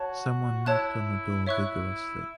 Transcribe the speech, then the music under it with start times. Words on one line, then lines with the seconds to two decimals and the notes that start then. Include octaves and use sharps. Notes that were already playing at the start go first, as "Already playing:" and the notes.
Someone knocked on the door vigorously.
Already playing: F#4 C#5 A5
0.66 E4 C#5 A5 F#6
1.46 E4 C#5 E5 C#6 F#6